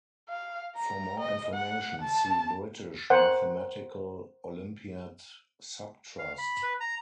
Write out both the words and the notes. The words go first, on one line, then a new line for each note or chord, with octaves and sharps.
For more information see British Mathematical Olympiad Subtrust.
F5
A#5
D#5
F#5
A5
A#4 C5 F#5 G#5
F5
B5
B4
A#5